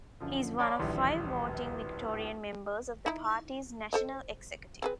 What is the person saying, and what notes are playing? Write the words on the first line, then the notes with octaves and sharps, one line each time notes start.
He is one of five voting Victorian members of the party's National Executive.
F#2 D3 F3
C#5 D5 A5 B5 D6 D#6
D1 A#1 D#2 E3 G3 C6
D#4 E4
A4 C5 D#5
C4 G#4 B4